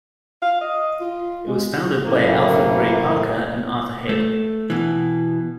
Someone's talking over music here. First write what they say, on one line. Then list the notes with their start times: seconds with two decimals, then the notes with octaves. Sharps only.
It was founded by Alfred Gray Parker and Arthur Hale.
0.42 F5
0.61 D#5
1.01 F4
1.47 G#3
2.03 F#2 A2 C3 A#3
4.09 A3
4.70 B2 E3